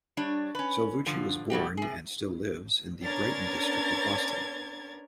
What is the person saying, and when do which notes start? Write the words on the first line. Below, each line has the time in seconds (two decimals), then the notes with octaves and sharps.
Salvucci was born, and still lives, in the Brighton district of Boston.
0.17 G3 D4 C#5
0.55 C#4 B4
1.06 G2 D3 F3
1.50 B2 G3 F#4 G4
1.77 C3 G#4
3.03 B3 C#4 D4 A#4 G#6 A6